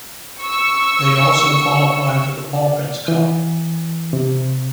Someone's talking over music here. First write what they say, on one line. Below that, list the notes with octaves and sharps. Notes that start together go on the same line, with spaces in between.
They also qualified for the Balkans Cup.
C#6 E6
D5
E3
C3